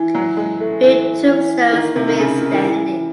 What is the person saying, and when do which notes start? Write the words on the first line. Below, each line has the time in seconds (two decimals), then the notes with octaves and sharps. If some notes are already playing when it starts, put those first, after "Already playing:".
Few tombstones remain standing.
Already playing: E3
0.15 F#3
0.37 G#3
0.60 A3
0.82 E3
1.27 E3
1.73 D#3
1.96 C3
2.08 D#3
2.19 C#3
2.41 D#3
2.53 D#3
2.64 E3